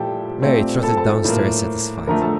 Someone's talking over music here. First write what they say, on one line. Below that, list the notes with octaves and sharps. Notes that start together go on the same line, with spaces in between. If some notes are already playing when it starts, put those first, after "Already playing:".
Mary trotted down stairs satisfied.
Already playing: A#2 F3 A3 E4 G4 A4 G5 A5
A#2 A3 C4
A4 A5
A4 A5
A2 F3 A#3
F2 D3 F3 A3 A#4 A#5
A4 A5